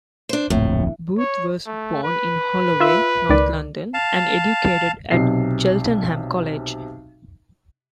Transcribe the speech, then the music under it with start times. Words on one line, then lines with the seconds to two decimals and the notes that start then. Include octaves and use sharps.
Booth was born in Holloway, North London, and educated at Cheltenham College.
0.29 D4 C5
0.50 D1 A#1 F2 A2
1.18 C#5
1.67 A3
2.03 B4
2.80 F4 E5
3.29 C#2 D#3 D5
3.94 F5 A5
5.11 B1 C3 C7